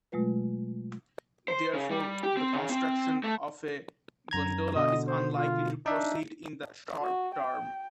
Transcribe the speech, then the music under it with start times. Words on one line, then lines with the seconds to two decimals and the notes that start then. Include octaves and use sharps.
Therefore, the construction of a gondola is unlikely to proceed in the short term.
0.12 B2 F#3 G#3 A3 F4 B4
1.48 C5
1.74 C#3
1.91 G3
2.23 G4
2.37 C4
2.53 C#3
2.70 C4
3.24 A3
4.31 F#2 A#5 G#6
4.76 B2 D3 D#5
5.07 C5
5.36 F4
5.86 D4 D#4 E5
7.01 F#4
7.35 G5